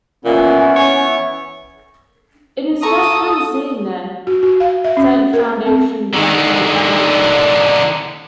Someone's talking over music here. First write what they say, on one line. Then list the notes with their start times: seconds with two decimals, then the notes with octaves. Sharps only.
"It is just kind of sitting there", said Foundation director Janna Jahn.
0.25 A#2 E3 B3 C#4 E4
0.76 C#5
2.82 A4 A#5 C#6 D#6
4.27 F#4
4.43 F#4
4.60 F5
4.84 E5
4.97 C#4
5.33 A#4
5.66 C4
6.14 D3 D#3